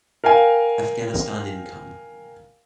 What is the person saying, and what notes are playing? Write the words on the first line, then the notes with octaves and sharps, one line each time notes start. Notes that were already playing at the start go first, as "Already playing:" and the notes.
Afghanistan income.
A#4 F5 G5 G#5